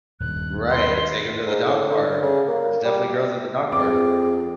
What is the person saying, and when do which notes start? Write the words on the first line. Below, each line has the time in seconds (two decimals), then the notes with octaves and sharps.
Right, or take 'em to the dog park. There's definitely girls at the dog park.
0.20 D#1 G2 D#3 F#6
0.70 B4 C6
1.47 G#2
1.66 A2
1.90 D3
2.22 C#3
2.48 A#3
2.85 G3
3.72 F2 C4 G#4 D6